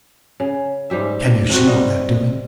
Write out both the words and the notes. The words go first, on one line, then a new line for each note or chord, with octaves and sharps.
"Can you see what they are doing?"
C#3
G#2 G3 G4 E5
C3 A3 C4 F#4
G3 D#5